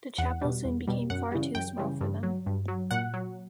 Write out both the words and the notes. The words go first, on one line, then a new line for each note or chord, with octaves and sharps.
The chapel soon became far too small for them.
E2 F#5
B2 G3
E2
B2 G3
F#2 F#5
C#3 E3 G3
F#2 G5
C#3 E3 G3
G2
F#3
G2
F#3
A#2 F#5
F#3